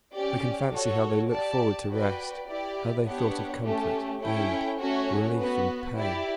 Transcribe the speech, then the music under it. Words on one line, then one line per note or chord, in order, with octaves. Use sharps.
We can fancy how they looked forward to rest; how they thought of comfort, aid, relief from pain.
C#4 G4 D5
F#4 A4 C#5
G4 D5 A5
F#4 B4 D5 G5
E4 G4 D5
B3 D4 G4 C#5 F#5
A3 C#4 G4
C#4 E4 A4 C#5 G5
A3 C#4 F#4 C#5
B3 F#4 B4
E4 G4 D5